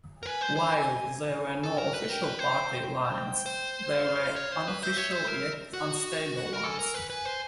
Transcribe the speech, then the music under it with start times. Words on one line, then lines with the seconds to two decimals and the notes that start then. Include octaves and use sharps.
While there were no official party lines, there were unofficial yet unstable ones.
0.23 A#4
0.26 B4 G#5
0.41 C5
0.57 C5
0.72 G#5
1.18 G#5
1.64 A4
1.78 A#4
1.93 B4
2.09 A#4 G5
2.24 B4
2.39 C5
2.54 G5
2.99 G5
3.46 C5
3.91 F5
4.36 C#5
4.52 C5
4.67 B4
4.83 C5 E5
4.97 C#5
5.12 C5
5.27 A#4
5.73 F#4 F#5
6.53 A#4
6.64 A4 G#5
6.79 A#4
6.94 B4
7.10 B4 G#5
7.25 C5